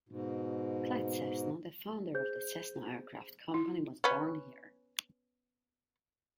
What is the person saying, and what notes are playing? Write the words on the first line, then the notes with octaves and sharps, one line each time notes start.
Clyde Cessna, the founder of the Cessna Aircraft Company, was born here.
G#2 B2
G#4 C5 G6
E4
B3 C#4